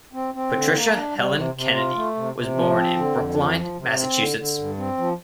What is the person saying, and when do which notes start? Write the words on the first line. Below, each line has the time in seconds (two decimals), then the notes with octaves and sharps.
Patricia Helen Kennedy was born in Brookline, Massachusetts.
0.13 C4
0.34 C4
0.54 D3
0.74 A#3
0.94 D4
1.15 G3
1.34 C3
1.54 C3
1.74 F4
1.95 A3
2.16 C3
2.35 C3
2.55 F3
2.75 C4
2.96 D3
3.16 F2
3.36 F3
3.57 F3
3.76 C3
3.97 C4
4.17 D3
4.37 D3
4.57 G2
4.77 C4
4.97 F3